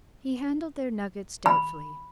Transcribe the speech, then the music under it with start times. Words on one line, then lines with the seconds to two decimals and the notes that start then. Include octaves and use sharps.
He handled their nuggets doubtfully.
1.46 B5